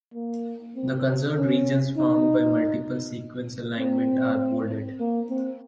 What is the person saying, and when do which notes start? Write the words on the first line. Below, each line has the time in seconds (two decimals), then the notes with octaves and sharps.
The conserved regions found by multiple sequence alignment are bolded.
0.14 A#3
0.76 C4
1.37 C#4
1.97 D#4
3.79 C4
5.00 A#3
5.29 C4